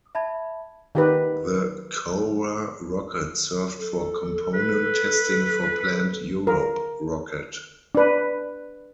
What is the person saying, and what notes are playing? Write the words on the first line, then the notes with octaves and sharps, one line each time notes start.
The Cora rocket served for component testing for planned Europe Rocket.
E5 A5 B5 G#6
D#3 G4 B4
A4
B4
A#4
D4 B4